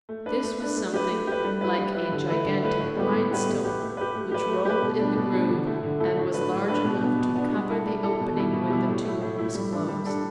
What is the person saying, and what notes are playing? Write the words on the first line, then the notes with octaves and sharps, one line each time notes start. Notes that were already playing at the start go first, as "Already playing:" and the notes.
This was something like a gigantic grindstone which rolled in the groove and was large enough to cover the opening when the tomb was closed.
A3
D4 B4
A3
D4 B4
A3
G4 B4
A3
G4 B4
G3
E4 B4
G3
E4 B4
D3
A3 E4 B4
D3
A3 E4 B4
A2
G3 B3 G4 B4
A2
G3 B3 G4 B4
A3
G4 B4
A3
G4 B4
A3
G4 B4
A3
G4 B4
B2
G3 D4
B2
G3 D4
D3
A3 E4 A4
D3
A3 E4 A4
A2
A3 D4 B4
A2
A3 D4 B4
B2
B3 D4
B2
B3 D4
G3
E4 A4
G3
E4 A4
B2
G3 E4
B2
G3 E4
A2
A3 E4
A2
A3 E4
G3
D4 A4
G3
D4 A4